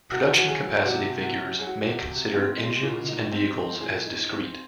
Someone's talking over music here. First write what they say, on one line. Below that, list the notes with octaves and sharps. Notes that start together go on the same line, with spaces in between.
Production capacity figures may consider engines and vehicles as discrete.
C3 F#4
C#4 F#4
G#4
F#3
C3 F#4
C3
F#4
C#4
F#3 G#4
F#4
C3 F#4
C3
C4
G#3
A#2
D#4
C4
G#3
A#2 G#4
D#4
C4